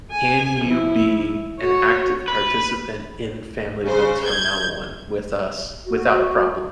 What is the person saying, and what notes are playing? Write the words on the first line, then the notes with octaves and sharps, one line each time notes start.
can you be an active participant in family events from now on with us without a problem?"
G#5
F3 E4
F#4 C#5
B4
C#3 C5
G6 G#6
F#4